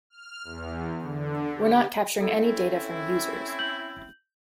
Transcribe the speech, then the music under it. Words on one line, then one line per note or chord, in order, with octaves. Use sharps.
We're not capturing any data from users.
F6
E2
D3
G4
C4 C#4 E4 A4
G6 F#7